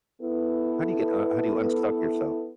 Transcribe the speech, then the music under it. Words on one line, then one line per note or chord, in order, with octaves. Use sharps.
How do you get uh, how do you unstuck yourself?
B3 E4 A4